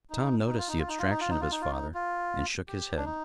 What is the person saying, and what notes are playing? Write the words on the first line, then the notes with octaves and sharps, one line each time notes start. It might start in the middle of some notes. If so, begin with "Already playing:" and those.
Tom noticed the abstraction of his father, and shook his head.
D#4
D#4
F4
D#4
F4
D#4
F4
D#4
F4
D#4
F4
D#4
F4
D#4
F4
G4
D4
D#4